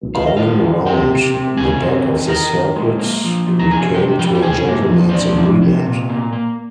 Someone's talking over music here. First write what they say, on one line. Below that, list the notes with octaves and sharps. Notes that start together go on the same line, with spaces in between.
Going round the back of the circuit we came to a gentleman's agreement.
D#3 F5
D#5
D#3 F4 F5
D#3
C4 G4 G5
C3
C4
C3 G#4 G#5
C4
D#3
D#3 A#4 A#5
D#3
G#3
A#3
F3
F3
A#5
C3 G#4 G#5
C3 G4 G5
F3 G4 G5
G5
C3 G#4 G#5
A#3
F3
C5
F3 D4 D5
C3
C3
A#2
A#3
A#3